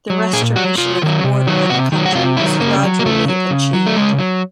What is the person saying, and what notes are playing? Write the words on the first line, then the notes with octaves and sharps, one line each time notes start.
The restoration of order in the country was gradually achieved.
F#3
A#2 G#4
F#3 F#4
C3 F4
D#3 F#3
C3
D#3 F#3
C3 F#4
D#3 F#3
F#4
C3 F4
D#3 F#3 E4
C#3 A#3
F#3
A#3
C#3 A3
F#3
C#3
F#3
A3
C#3 G#3
F#3